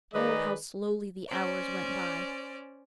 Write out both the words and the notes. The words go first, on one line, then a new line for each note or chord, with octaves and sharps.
Oh, how slowly the hours went by!
D#3 G#3 G#4 B4 D5 D#5
C#4 C5 D5